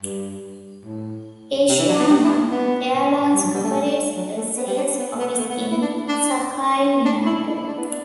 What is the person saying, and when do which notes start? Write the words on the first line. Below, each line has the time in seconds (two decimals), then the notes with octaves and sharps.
Asiana Airlines operates a sales office in Sakaiminato.
0.03 G2
0.85 A2
1.69 C3
1.79 E3
1.89 F#3
1.99 B3
2.10 G3
2.24 E4
2.30 D4
2.51 B3
3.34 G3
3.44 F#3
3.54 G3
3.64 A3
4.16 F#3
4.37 A3
4.57 B3
4.67 G3
4.77 D4
4.99 B3
5.19 B3
5.31 B3
5.39 A3
5.50 B3
5.61 B3
5.71 E4
5.82 D4
6.08 D4
7.05 D4
7.26 E4
7.47 D4
7.57 E4
7.67 D4
7.78 B3
7.88 D4